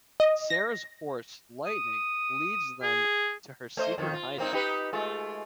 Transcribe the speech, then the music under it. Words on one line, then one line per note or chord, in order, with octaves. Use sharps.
Sarah's horse, Lightning, leads them to her secret hideout.
D#5
A#6
D#6
G#4
A3 C5 D#5
F2 D#3
F4
A#3 C4 D#4
D#4 G4 B4
G#3 A3 F4